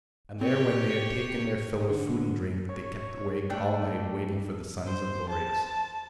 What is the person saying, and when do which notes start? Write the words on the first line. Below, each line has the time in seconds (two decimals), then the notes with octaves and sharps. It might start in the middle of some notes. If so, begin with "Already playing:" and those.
And there, when they had taken their fill of food and drink, they kept awake all night waiting for the sons of Boreas.
0.41 C4 G4 C#5
1.89 D3
2.69 C#5
3.50 A3 D4 D5 G5
4.86 C5
5.29 A5